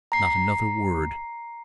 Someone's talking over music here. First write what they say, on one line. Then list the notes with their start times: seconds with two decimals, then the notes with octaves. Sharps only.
Not another word.
0.12 A#5 C7